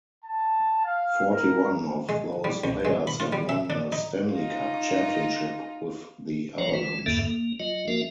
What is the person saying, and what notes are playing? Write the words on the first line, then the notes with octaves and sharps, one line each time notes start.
Forty-one of those players have won a Stanley Cup championship with the Avalanche.
A5
F5
A#4
G#3
G3
C2
G#3
B5
F4
G3
E5
D4
D#4
D#4 F4
F3 F#3 D4 C#5 A#5
E3 F4
E2 G2 D3 A#3 A4 E5
A#3
F#3 F4 D#5
F3 A#3 D4 F#4 A#4 E5